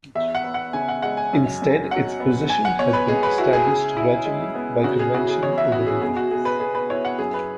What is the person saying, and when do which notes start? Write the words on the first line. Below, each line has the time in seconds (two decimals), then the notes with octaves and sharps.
Instead its position has been established gradually by convention over the years.
0.15 E2 E5
0.35 F#5
0.44 B3
0.54 F#5
0.73 C#3 G#5
0.88 F#5
1.02 G#3 F#5
1.17 G#5
1.33 F#2
1.62 F#2
1.91 F#3 F#5
2.20 B3
2.49 B2 G#5
2.65 F#5
2.79 B2 C#5
2.93 B4
3.08 G#3 G#4
3.23 B4
3.38 E4 F#4
3.53 G#4
3.67 C#3
3.97 E4
4.25 G#3
4.55 B3
4.84 C#3 F#4
4.99 G#4
5.14 E4 F#4
5.28 G#4
5.43 E3 C#5
5.58 E5
5.72 B3 F#4
5.87 G#4
6.01 B2 G#4
6.16 F#4
6.31 B2 G#4
6.45 B4
6.60 B3 G#4
6.75 B4
6.90 E4 C#5
7.05 F#5
7.19 F#2 G#4
7.34 B4